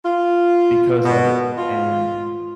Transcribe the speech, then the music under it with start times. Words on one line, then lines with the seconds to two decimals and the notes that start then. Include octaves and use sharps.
because of it. And
0.05 F4
1.05 B2
1.58 F4